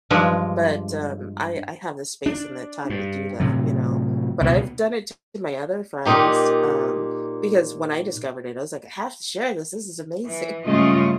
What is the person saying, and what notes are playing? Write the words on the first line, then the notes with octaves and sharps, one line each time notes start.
but, um, I I have the space and the time to do that, you know, but I've done it to my other friends, um, because when I discovered it, I was like, "I have to share this, this is amazing,
G2 F3 G#3
D4
G2
A2 C3 F#3
C#2 B2 A#3 B3
A#2 D#4 G4
E3
G2 C#3 G#3 A3 F4 D#5